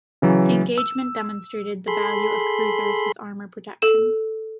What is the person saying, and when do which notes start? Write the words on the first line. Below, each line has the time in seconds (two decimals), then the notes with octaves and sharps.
The engagement demonstrated the value of cruisers with armor protection.
0.22 C#3 E3 F#3
0.78 E6
1.88 G#4 A4 B5 C6
3.82 A4 E7